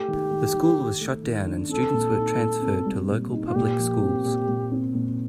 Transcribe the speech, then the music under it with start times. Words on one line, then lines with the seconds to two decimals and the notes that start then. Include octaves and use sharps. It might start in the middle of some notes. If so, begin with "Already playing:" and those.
The school was shut down and students were transferred to local public schools.
Already playing: A3 G4
0.08 D#3
0.31 D#3
0.54 D#3
0.77 D#3
1.00 A3
1.24 D#3
1.46 D4
1.69 C4 A4
1.94 A#2
2.17 D#4
2.39 A#2
2.62 C4
2.86 G3
3.09 A#2
3.32 D#4
3.47 F4
3.56 A#2 G4
3.79 F3
4.03 C4
4.25 A#2
4.48 A#2
4.72 C4
4.94 A#2